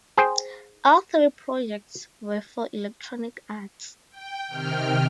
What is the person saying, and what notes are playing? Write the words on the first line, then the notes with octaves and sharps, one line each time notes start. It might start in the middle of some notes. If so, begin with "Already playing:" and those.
All three projects were for Electronic Arts.
G#4 C5 G5
G5
C3 D#3 G5 F6